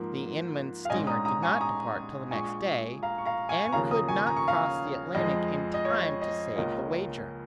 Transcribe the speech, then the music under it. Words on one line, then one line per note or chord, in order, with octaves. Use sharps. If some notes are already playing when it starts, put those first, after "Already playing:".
The Inman steamer did not depart till the next day, and could not cross the Atlantic in time to save the wager.
Already playing: G#2 F3 A#3
F5
A#1 G#2 G#3 C#4 D#5 G#5
A#5 D#6
A#5 D#6
G#5 C#6
A#5 D#6
A#1 A#2 G#3 G#5 C#6
F5 A#5
C#6
F5 A#5
G#5 C#6
C#6
D#2 C#3 F3 A#3 F5 A#5
A#5 D#6
G#5 C#6
A#5
C#6
F5 A#5
F2 F3 G#3 D#5
D#5
C#5
D#5
C#2 C#3 A#3 C#4 F4 D#5